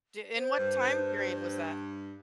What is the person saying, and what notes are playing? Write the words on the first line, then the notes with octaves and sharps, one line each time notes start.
T in what time period was that?
C5
G2